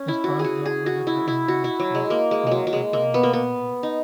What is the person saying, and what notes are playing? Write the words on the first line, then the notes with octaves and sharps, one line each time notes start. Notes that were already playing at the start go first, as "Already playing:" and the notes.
His first job was at the "Indian Express" newspaper in New Delhi.
Already playing: C#4
E4
F#4
G#4
F#4
G#4
F#4
E4
E4
F#4
E4
F#3
G#3
A#3
G#3
F#3 G#3
F#3
G#3
A#3
B3
A#3
B3
D#4